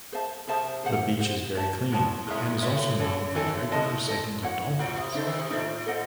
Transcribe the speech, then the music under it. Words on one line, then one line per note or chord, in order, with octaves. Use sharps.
The beach is very clean and is also known for regular sightings of dolphins.
G#4 C5 E5 A5
C3 G#4 C5 E5 A5
G#4 C5 F#5
G#4 C5 F#5
F#4 C#5 E5 A5
G#2 F#4 C#5 E5 A5
G#2 G#4 C#5 E5
G#2
A2 G#4 C#5 E5
C#3 F#4 A4 C#5 G#5
D#3 F#4 A4 C#5 G#5
A2
G#2 A4 D#5 A5
A4 D#5 A5
F#4 C#5 F#5
A2 F#4 C#5 F#5
C3
C#3 D#4 A4 C5
D#3
C3
A2 D#4 A4 C5
A4 C5 D#5 F#5